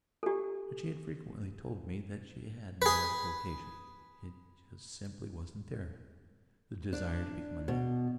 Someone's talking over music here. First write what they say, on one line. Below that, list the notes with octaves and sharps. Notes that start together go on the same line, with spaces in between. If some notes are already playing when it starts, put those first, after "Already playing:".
But she had frequently told me that she had no vocation; it just simply wasn't there--the desire to become a nun.
G4 A4
G#4 B4
D4
B2